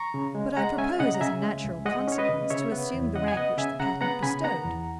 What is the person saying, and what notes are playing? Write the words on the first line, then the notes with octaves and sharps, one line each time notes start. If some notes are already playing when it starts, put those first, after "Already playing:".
But I propose, as a natural consequence, to assume the rank which the patent bestowed.
Already playing: A#5 C#6
C#3
G#3
G#3 F#5 A#5
C#4 E5 G#5
C#3 D#5 F#5
A#5
C#3 E5 G#5
G#3
C#2
G#3 D#5 F#5
C#4 C#5
B4 D#5
C#3
C#3 C#5 E5
B3
E2
C#3 D#5 F#5
G#5
B3 D#5 F#5
C#3 E5 G#5
C#3 F#5 A#5
B3 F#5 A#5
C#3 G#5 B5
B3 F#5 A#5
E2